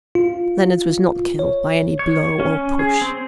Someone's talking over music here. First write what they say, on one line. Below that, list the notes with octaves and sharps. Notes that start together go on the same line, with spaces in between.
'Leonards was not killed by any blow or push.'
F4
C#5
C#5
C#4
G#4
C4